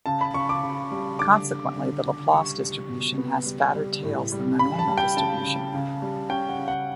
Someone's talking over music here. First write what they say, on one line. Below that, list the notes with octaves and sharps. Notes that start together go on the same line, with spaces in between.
Consequently, the Laplace distribution has fatter tails than the normal distribution.
C#3 A5
B5
C#3 C#6
D6
C#3
G3
D3 D6
D3
D3
D3
G3 C#6
G3
B2
B3
G3
G3
A2
G3
C#3 B5
A5
G3
G5
C#3 A5
C#3
C#3
G3
C#4 G5
F#5
C#3
F#5